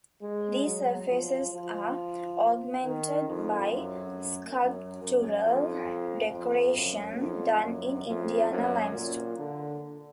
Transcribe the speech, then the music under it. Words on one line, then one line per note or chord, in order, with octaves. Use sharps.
These surfaces are augmented by sculptural decoration done in Indiana limestone.
G#3
F#3
F3
F3
D#3
F2
F#2
F#2
F#2
F2
F2
F#2
F2
F#2
F2
F#2
A#2
D3